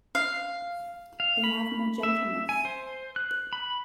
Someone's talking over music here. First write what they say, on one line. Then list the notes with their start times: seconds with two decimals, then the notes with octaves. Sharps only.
They have more gentleness.
0.15 F5
1.20 F5
1.44 B5
2.03 E5
2.49 G#5
2.65 C5
3.16 F#6
3.53 B5